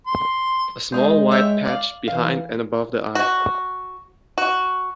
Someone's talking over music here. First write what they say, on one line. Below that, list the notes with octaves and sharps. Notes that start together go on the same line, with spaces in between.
A small white patch behind and above the eye.
C6
D#3 G#3 D#4 C5
C#5 E5 G5
D5 F5
E3 F5
F#4
F#4